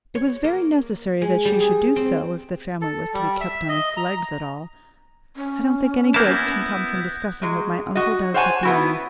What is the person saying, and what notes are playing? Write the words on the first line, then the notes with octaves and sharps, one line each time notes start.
It was very necessary that she should do so, if the family was to be kept on its legs at all. "I don't think any good can come from discussing what my uncle does with the money."
C#5
A#3
G#3
G3
G#4
C4
A4
G3
E5
D#5
A#5
C#4
A#3 B3 E4 A5 F#6 G6 A#6
F#3 G#3
F#4 D#5
C5 C#5 F#5 G#5 A5
B3 E4 F#4